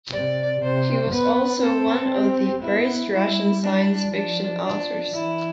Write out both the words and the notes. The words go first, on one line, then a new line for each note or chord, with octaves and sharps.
He was also one of the first Russian science fiction authors.
C3 D5
C3 C5
B3 B4
C4 A4
G4
B3 E4
G3 E4
D4
F3 D4
D4
E3 E4